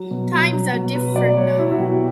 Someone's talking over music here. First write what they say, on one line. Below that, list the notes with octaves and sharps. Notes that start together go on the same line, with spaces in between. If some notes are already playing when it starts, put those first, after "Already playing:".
Times are different now.
Already playing: F#3
B2
F#3
F#3
B2
F#3 B4
B2 D5
F#3 C#5
F#3 E4
F#4
B2 G4